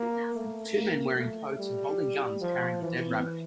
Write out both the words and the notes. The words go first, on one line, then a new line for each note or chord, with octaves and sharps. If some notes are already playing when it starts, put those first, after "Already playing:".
Two men wearing coats and holding guns carrying a dead rabbit.
Already playing: A#3
A3
A#3
A3
G3
F3
E3